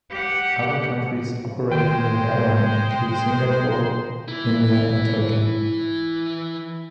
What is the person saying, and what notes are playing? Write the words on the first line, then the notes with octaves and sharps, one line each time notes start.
Other countries operating the Heron include Singapore, India and Turkey.
G4 F#5
D#3 G#3 C5 G5
E3 E4